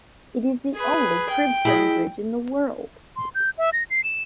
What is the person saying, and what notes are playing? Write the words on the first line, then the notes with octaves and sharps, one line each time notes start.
It is the only cribstone bridge in the world.
G#4 B4
G5
E4 G#4 D#5
C6
G6
E5
A#6
C7
E7